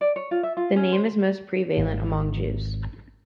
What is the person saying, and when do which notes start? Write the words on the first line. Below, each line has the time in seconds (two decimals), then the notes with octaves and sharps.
The name is most prevalent among Jews.
0.01 D5
0.16 C#5
0.31 F4
0.43 E5
0.57 F4
0.76 C#4
0.92 C5
1.77 G#1